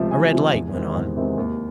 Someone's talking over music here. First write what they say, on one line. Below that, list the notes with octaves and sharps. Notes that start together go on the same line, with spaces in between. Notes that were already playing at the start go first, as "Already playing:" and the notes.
A red light went on.
Already playing: C#2 C3 F3 A3
C#2 G#5
C3 F3 A3
E2
C3 D#3 G#3 C4
E2
C3 D#3 G#3 C4
D#2